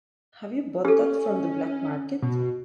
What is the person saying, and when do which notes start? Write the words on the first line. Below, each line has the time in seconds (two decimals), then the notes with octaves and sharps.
Have you bought that from the black-market?
0.85 C#4 G4 A4
2.22 B2